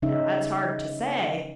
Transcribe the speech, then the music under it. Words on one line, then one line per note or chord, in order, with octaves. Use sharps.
Now that's hard to say.
C#3 C#4 D#4 E5